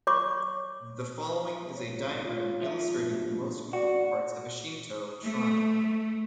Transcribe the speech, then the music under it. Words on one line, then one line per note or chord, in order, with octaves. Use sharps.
The following is a diagram illustrating the most important parts of a Shinto shrine.
C#5 B5 C#6 D6
G#1 C#5
F4
F3 E5
G2 B2
F#4 D5
A3